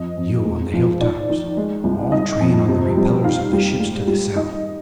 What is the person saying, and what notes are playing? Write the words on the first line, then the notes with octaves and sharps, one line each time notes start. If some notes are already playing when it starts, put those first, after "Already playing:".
You, on the hilltops, all train on the repellors of the ships to the south.
Already playing: F2 D#5
F2
G#2
F3
D#3 D5
D#3
G#3
C2
D#3 D#5
F2
C3
G3
D#3 F5
G3
G#2
G3
D#3 D#5